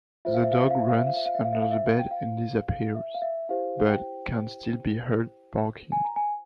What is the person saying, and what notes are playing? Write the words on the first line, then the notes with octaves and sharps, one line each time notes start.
The dog runs under the bed and disappears, but can still be heard barking.
F4 C5 E5
F5
E5
F5
E5
F5
E5
F5
E5
F5
E5
F5
E5
F5
E5
F5
E5
F5
G5
F5
F5
E5
F5
E5
E4 G4 C5 F5
F5
G5
G#5
A#5
G#5